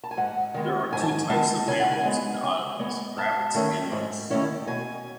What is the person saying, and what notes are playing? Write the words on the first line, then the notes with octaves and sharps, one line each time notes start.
There are two types of mammals in the islands: rabbits and mice.
A5
G#5
G#2 F#5
D#3 G#3 B3
G#2 G#5
A5
G#5
D#3 G#3 B3 A5
C#3 G#5
F#5
G#5
G#3 B3
C#3
G#3 B3
G#2 A5
D#3 A3 C#4 E4
G#2
D#3 A3 C#4 E4
B2 G#5